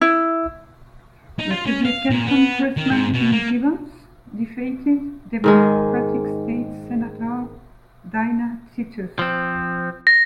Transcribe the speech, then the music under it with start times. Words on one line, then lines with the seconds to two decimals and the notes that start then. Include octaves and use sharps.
Republican Congressman Jim Gibbons defeated Democratic State Senator Dina Titus.
0.01 E4
1.39 D#4
1.51 F4
1.66 C#4
1.85 F5
2.10 A#2
2.26 B3
2.77 D#3
2.91 G#2
3.14 B2
3.32 A#3
5.44 G#2 D#3 G#3
9.19 F3 C4
10.07 A#6